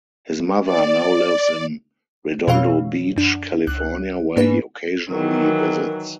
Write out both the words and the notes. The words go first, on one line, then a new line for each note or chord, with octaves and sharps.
His mother now lives in Redondo Beach, California, where he occasionally visits.
D5
F2 B2 E3 F4 C#5 F5
F#2 D4
C#2 F#6
G#2 A#3 D4 B4
D#3 E3 F#3 A#4